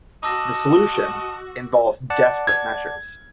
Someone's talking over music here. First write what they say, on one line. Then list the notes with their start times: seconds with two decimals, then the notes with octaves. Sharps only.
The solution involves desperate measures.
0.23 F#4 D#5 A5 D6 E6 A#6
2.10 D5 F#5 A5
2.47 G#6